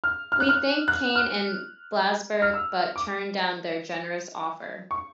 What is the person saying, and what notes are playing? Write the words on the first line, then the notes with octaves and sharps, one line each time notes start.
We thanked Kane and Blasberg but turned down their generous offer.
F6
F6
F#6
F6
F#6
F6
F6
E6
D6
C#6